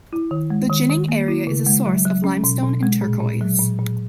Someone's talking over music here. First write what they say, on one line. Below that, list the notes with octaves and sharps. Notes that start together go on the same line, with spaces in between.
The Jining area is a source of limestone and turquoise.
E4
D#3
G#3
D#3
D#3
A#3
E4
C#3
G#3
F#3
F#3
C#4
B2
B2
G#3
A#2
A#2
F#3
A#2
A#2